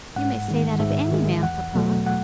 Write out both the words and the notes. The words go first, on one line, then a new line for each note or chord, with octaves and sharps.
"You may say that of any man, papa."
G#2 F#5
D#3 G#3
G#2 E5
D#3 G#3
E2 F#5
B2 F#3 A3
F#5